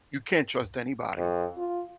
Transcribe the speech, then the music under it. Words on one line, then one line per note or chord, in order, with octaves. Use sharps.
you can't trust anybody,
F2
F4